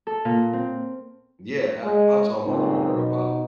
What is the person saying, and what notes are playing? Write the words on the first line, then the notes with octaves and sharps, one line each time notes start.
Yeah, I I taught my daughter about
A4
A#2
C4
G#3
C#2 A#2 C4 D#4
B2